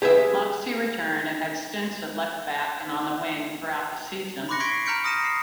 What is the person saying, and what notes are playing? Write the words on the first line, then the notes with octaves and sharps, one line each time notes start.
Moxey returned and had stints at left-back and on the wing throughout the season.
G4 G#4 B4 E5
B5 C6 D6 F#6 A#6 C#7
C6 C#6 G#6 B6 D7
C7
A#5 B5 F6 G6 C#7 D7
D#6 F6 A#6 C#7 D#7 E7
C7